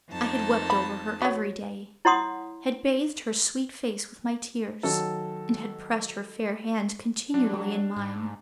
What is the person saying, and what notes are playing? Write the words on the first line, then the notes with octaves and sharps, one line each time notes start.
I had wept over her every Day--had bathed her sweet face with my tears and had pressed her fair Hands continually in mine--.
F2 D#4 A5
B5
F#4 C#5
E4 C#5 F#5 C6 D#6
D#3 F#3 A4
F#3 D4
G3
G#2